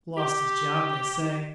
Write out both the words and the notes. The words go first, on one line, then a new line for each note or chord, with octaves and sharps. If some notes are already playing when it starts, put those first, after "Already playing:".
Lost his job, they say.
G4